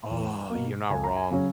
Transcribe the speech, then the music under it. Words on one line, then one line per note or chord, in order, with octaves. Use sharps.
Oh, you're not wrong.
E2
B2 A#3
C#2 G#5
A#5
G#5
C#3 F#3 C#4